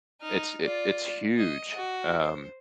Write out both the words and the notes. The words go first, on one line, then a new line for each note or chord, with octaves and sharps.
it's it it's huge, um.
D#4 F6
F4 D5
D#5
F#4
C5